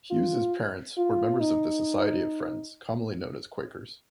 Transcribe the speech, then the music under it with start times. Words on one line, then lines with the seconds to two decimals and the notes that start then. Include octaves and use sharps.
Hewes's parents were members of the Society of Friends, commonly known as Quakers.
0.11 F4
0.97 F4
1.40 D#4